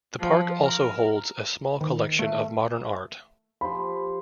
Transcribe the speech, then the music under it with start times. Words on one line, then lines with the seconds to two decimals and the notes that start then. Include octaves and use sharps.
The park also holds a small collection of modern art.
0.20 F3
0.63 A#4
1.81 D#3
2.19 A3
3.61 F3 G4 B5 C6